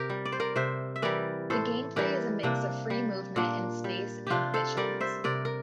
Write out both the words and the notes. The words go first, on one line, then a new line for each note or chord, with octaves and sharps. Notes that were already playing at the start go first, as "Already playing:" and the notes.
The gameplay is a mix of free movement in space and missions.
Already playing: C3 G4 A#4
G3
D5
C5
A#4 D5
C3 C5 E5
E5
E3 G3 A#4 D5
A2 A4 C5
E3 G3 G4 A#4
C3 A#3 D4
G3
A#2 A#3 D4
G3
C3 D4 F4 G4
A4 C5
G3 A#4 D5
C5 E5
C3 A#4 D5
A#4